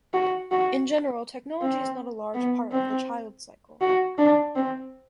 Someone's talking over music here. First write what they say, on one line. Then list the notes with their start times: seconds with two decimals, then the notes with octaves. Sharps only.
In general, technology is not a large part of the Childe Cycle.
0.14 F#4
0.51 F#4
1.62 C4
2.34 B3
2.71 C4
3.81 F#4
4.18 D4
4.55 C4